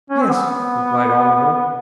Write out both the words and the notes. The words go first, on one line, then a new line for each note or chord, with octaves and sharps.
'Yes,' replied Oliver.
C#4
C4
B3